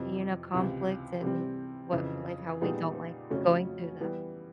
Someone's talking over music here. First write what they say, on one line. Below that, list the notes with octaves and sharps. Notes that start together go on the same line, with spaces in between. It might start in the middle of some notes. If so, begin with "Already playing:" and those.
you know, conflict and what like, how we don't like going through that.
Already playing: F2 C3 E3
C#2 C3 E3
C3 E3 G3 C4
F2 C#3 E3
A#2 G3 B3 D#4 G#4
F2 C#3 F#3 A3 C#4
E3 G3 B3